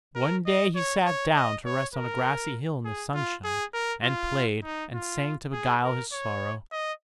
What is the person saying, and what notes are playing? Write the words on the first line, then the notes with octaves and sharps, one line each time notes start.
One day he sat down to rest on a grassy hill in the sunshine, and played and sang to beguile his sorrow.
A#4
D#5
C#5
C#5
D#5
C#5
A#4
G#4
F4
G#4
A#4
F4
D#4
F4
G#4
A#4
C#5
D#5